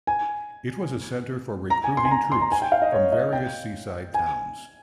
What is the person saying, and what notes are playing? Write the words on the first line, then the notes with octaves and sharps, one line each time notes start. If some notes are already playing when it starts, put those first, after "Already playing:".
It was a center for recruiting troops from various seaside towns.
G#5
A#5
G#5
C6
G#5
A#5
C6
A#5
G#5
G5
F5
D#5
C#5
D#5
G5
G#5